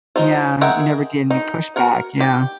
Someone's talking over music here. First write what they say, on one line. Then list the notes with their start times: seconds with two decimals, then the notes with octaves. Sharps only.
Yeah. You never did and you pushed back, yeah.
0.16 F3 G#3 D#4
0.61 G#3 A#4 E5 F#5 G5
1.30 D#4
1.76 F#4 A#4 F#5
2.20 G4